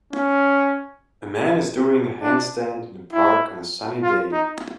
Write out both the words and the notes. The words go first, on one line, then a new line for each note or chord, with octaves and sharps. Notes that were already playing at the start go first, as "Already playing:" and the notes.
A man is doing a handstand in a park on a sunny day.
C#4
D4
E4
F4
D#4